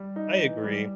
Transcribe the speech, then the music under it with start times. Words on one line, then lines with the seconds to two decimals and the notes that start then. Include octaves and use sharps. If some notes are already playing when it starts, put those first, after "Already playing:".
I agree.
Already playing: G3
0.16 D#4
0.40 E3
0.64 G3